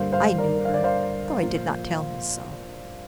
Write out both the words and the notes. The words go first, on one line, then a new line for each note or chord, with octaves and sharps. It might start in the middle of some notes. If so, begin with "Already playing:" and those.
I knew her, though I did not tell him so.
Already playing: G2 D3 G3 A#3 C5 F5
C5 F5
A#4 D5
F5
D5
C5 F5
A#2 F3 A#3